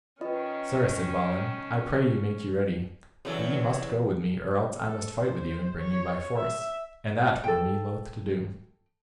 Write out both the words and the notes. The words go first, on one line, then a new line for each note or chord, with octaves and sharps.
Sir, said Balin, I pray you make you ready, for ye must go with me, or else I must fight with you and bring you by force, and that were me loath to do.
D#3 C#4 F4 B4 D#5
E2 C#3 E3 F#3 A4
A4
C5
C#5
E5
A4 G5